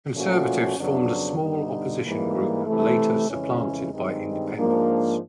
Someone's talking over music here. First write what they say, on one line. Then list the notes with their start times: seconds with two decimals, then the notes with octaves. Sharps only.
Conservatives formed a small opposition group, later supplanted by Independents.
0.14 A#2 F3 A3 C#4 F#4
0.76 F2 C#3 F#3 B3 D4
1.39 G2 D3 G3 B3 D#4
2.03 G#2 E3 G3 A#3
2.66 C3 E3 A3
3.29 F2 C#3 E3 G#3 C#4
3.92 G2 D#3 G#3 C4 D#4
4.54 G#2 F3 A#3 D4